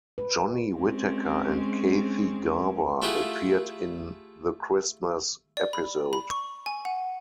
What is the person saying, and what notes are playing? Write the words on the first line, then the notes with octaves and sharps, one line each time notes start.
Johnny Whitaker and Kathy Garver appeared in the Christmas episode.
B4
G#3 C4 C#4
A3 E4 F4 G4 G#4 F#5
D5
B5
B5
C#6
G#5
F#5